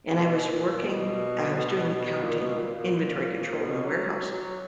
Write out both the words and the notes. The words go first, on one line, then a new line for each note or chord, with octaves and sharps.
And I was working uh, I was doing accounting, inventory control in a warehouse.
B2
A#2
B2
A#2
B2
A#2
A#2
B2
F#3
F#3
F#3